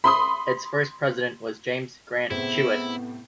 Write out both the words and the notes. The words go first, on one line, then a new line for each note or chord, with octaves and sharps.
Its first president was James Grant Chewett.
B5 C6 D#6
A2 C3 B3 E4 G#4 C5 E5